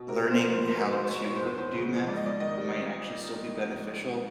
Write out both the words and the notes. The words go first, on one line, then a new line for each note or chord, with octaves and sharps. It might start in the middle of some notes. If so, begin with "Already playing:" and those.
learning how to do math might actually still be beneficial,
Already playing: B2
C3 A#4
C3
C5
A#4
F3 B4
C5
A3
A#4
B2 B4
G#3 C5
G#3 C#5
B2 C#5
C5
E2 B4
E2 C5
C#3
F3
G#2 D5
D#5
G#2 D5
D#3 D#5
G3